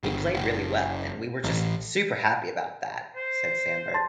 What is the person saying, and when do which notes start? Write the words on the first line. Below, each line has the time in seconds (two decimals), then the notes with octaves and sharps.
"It played really well, and we were just super happy about that," said Samberg.
0.03 G1
0.34 F#1
1.44 A1
3.16 C5
3.94 A5 C6 A6